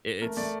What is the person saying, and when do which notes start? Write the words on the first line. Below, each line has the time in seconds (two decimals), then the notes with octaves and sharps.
i it's
0.22 A3 A#4
0.37 A3 D5